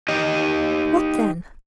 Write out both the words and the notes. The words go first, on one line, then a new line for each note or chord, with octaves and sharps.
"What then?"
D#4 G4 D#5